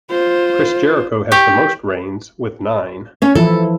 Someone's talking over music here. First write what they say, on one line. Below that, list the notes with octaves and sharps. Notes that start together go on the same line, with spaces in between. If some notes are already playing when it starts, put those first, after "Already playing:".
Chris Jericho has the most reigns with nine.
F4 C5
G4 C#6
C#4 C#5
E3 F3 E4 A4